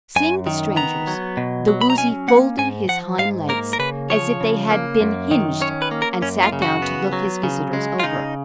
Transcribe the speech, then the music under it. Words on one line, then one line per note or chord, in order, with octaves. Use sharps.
Seeing the strangers, the Woozy folded his hind legs as if they had been hinged and sat down to look his visitors over.
F#2 G#5
D#3
B3 A#5
F#3
B2
F#3
B5
A#5
C#4 G#5
A#3 F#5
G#2 G#5
F3 F#5
G#2 F5
A#3 A#4
A#4
C#3 B4
F3 C#5
C#3
A#3
F#2
D#3
C#4 C#5
B4
A#3
A#4
F#2 C#4
F4
C#3
F#4
B3
F#3
C#3
G#3
F4
C#3 D#4